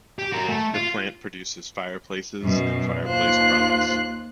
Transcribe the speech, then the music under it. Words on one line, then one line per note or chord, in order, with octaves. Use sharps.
The plant produces fireplaces and fireplace products.
G4
F#4 A#4
A3
F4
F#2 B2
D#2 F4 C5 F#6